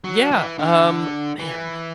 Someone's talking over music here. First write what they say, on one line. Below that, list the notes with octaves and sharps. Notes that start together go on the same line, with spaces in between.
Yeah. Um, man,
F#3
E3
D3
E3